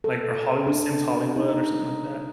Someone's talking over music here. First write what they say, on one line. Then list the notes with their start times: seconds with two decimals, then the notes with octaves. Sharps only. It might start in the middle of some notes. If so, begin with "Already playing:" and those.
Like a Hollywood Sims Hollywood or something like that?
0.04 A4
0.67 D4
1.36 D#4